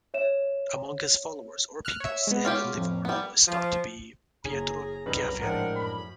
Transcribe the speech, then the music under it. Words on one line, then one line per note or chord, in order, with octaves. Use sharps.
Among his followers or pupils in Livorno is thought to be Pietro Ciafferi.
C#5 E5 E7
F6 F#6
C#5 E5
G#3 B3
C#4 F4 G4
F2 A2
G3 B3
F3
F#1 C#4 G#4 A#5
C2 F#2 C#3 G3 D#4 B4
G#1 A2 F3 G#3 D4 A#4 F#5 G5
F#2 B5